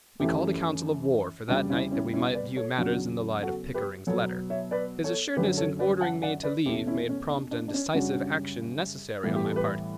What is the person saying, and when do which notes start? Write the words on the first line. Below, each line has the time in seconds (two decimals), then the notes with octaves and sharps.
We called a council of war for that night that we might view matters in the light of Pickering’s letter. His assuredness in ordering me to leave made prompt and decisive action necessary on my part.
0.20 F#2 E3 A3 C#4 E4 G4
1.48 E2 C#3 G3 B3 D4 F#4
1.70 C#4 E4
1.91 C#4 E4
2.13 C#4 E4
2.35 B4 D5
2.57 A4 C#5
2.77 E2 C#3 F#3 D4 F#4
3.42 F#4 A4
3.74 G4 B4
4.07 B2 F#3 B3 A4 C#5
4.50 C#5 E5
4.71 B4 D5
5.04 A4 C#5
5.36 F#2 D3 F#3 C#4 G4 B4
5.57 A4 C#5
5.79 B4 D5
6.00 F#5 A5
6.22 D5 F#5
6.43 B4 D5
6.65 E2 B2 A3 C#4 E4 G4
6.87 C#4 E4
7.09 C#4
7.30 D4
7.51 D4
7.68 D4
7.74 C#4
7.94 F#2 C#3 G3 C#4 D4 F#4
9.23 A2 E3 G3 B3
9.35 G4
9.46 A4
9.56 G4 B4